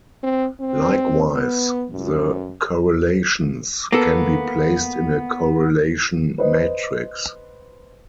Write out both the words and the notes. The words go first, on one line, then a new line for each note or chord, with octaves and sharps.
Likewise, the correlations can be placed in a correlation matrix.
C4
C4
B3
F#2
A#3 B3 A4
B4 C5 D#5